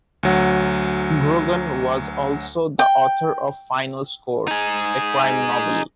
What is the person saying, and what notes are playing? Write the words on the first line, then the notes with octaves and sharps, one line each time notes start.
Grogan was also the author of "Final Score," a crime novel.
D2 F#3 F#5
G5
D#4 G#4